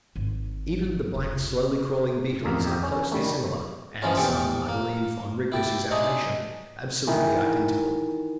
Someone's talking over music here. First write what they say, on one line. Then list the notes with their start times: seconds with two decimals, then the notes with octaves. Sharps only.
Even the black slowly crawling beetles are closely similar, and some, I believe, on rigorous examination, absolutely identical.
0.16 G#1
1.14 F1 C#2
2.44 A1 F2 A#3 A#4
2.64 F2 G4
2.83 C#4
3.12 D#3 G3 A3
4.02 E3 F3 G#3 A#3 C#4 F4
4.17 A#1 E2 G4 A4 C#6 D6
4.68 A#3
5.52 E4 G4 A5 D6
5.91 G#3 D4 D#4 C#5 D#5 E5
7.07 D#3 E3